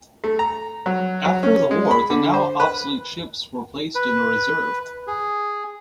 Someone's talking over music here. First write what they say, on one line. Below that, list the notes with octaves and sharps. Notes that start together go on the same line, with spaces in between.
After the war, the now obsolete ships were placed in the reserve.
A3
A#5
F#3
F#3
C#4
G#3
B5
D3
C5
B4
B4
G#4